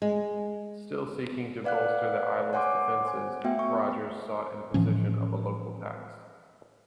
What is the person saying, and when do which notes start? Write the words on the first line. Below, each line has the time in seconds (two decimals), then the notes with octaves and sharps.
Still seeking to bolster the island's defences, Rogers sought imposition of a local tax.
0.02 G#3
1.64 B4 D5 F5 F#5 F#6
2.53 C#5 F#5 G#5 C6 D6
3.04 C5 G#5
3.44 A3 B3 F#4 E5 G5
3.59 C#6
4.74 A2 E3 F3 C#4